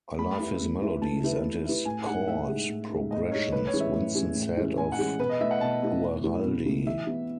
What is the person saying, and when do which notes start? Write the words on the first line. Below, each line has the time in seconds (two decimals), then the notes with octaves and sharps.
"I love his melodies and his chord progressions", Winston said of Guaraldi.
0.18 A3 B5
0.40 E4 B4 E5
0.61 A3
0.82 E4 B4 E5
1.02 A3 A5
1.23 E4 B4 E5
1.43 A3
1.65 E4 B4 E5
1.85 A2 G#5
2.06 G#3 D#4 F#5
2.27 A2 E5
2.48 G#3 D#4
2.69 A2
2.90 G#3 D#4
3.11 A2 D#5
3.31 G#3 D#4 C#5
3.52 A2 B4
3.67 C#5
3.74 E3 G#3 C#4 G#4
3.80 E5
3.94 A2
4.14 E3 G#3 C#4 G#4
4.35 A2
4.57 E3 G#3 C#4 G#4
4.78 A2 G#5
4.92 F#5
4.99 E3 G#3 C#4 G#4
5.19 B2 B4
5.29 D#5
5.40 A3 E4 E5
5.51 F#5
5.61 B2 A5
5.82 A3 E4
6.02 B2
6.24 A3 E4
6.45 B2
6.65 A3 E4
6.87 E3 E5
7.07 B3 E4